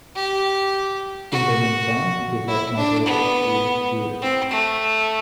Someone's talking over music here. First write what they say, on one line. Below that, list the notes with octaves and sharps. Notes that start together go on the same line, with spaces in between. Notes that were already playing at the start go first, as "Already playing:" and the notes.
In the meantime, he had migrated to Europe.
G4
F#4
E4
D4
B3
C4
A3